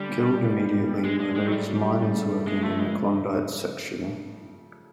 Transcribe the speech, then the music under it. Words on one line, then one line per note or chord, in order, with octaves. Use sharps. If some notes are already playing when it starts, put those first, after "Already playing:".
Killed immediately were those miners working in the Klondike section.
Already playing: D3 G3
A#2
D4
B3
B3
D4
A#2
G#3 G4
G#3 D4
G#3 G4
F#3
G3 A3
F#3
G4
C#3
A3
A3
G#3 A3
F3 A3
C#3 G#3